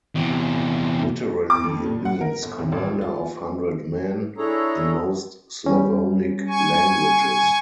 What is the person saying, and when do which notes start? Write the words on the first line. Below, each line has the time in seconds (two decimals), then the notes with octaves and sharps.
Literally it means "commander of hundred men" in most Slavonic languages.
0.15 E2 C3
1.50 D6
1.64 F2
1.86 A#2
2.05 F#5
2.21 A#4
2.43 G1
2.58 C3
2.72 G#1
2.86 F3
3.01 F4
4.38 D4 E4 G#4 A4 C#5 A#5
5.66 G3 C#4
6.48 G#5 C#6